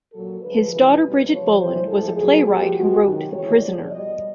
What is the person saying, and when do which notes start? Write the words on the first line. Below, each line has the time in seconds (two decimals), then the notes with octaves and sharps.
His daughter Bridget Boland was a playwright who wrote the "The Prisoner".
0.14 A#2 F#3 A4
0.42 D3 F3 G#3 B4
0.71 C3 E3 G#3 B4
1.01 B2 G3
1.29 C3 F3 G#3 C#5
1.58 C3 E3 G3 C5
1.88 A2 F3 G#3 A4
2.16 A#2 F#3 G#4
2.45 A#2 F3 G#3 G4
2.74 B2 G#3 F#4
3.04 C3 D#3 F#3 G4
3.33 C#3 E3 G#3 C#5
3.62 A#2 F3 G#3 D5
3.91 B2 G3 D#5